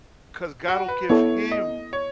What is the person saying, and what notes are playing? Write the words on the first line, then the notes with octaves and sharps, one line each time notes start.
'cause God will give him
F#4
B4
B3 E4 A4 C#5
D#5
C#5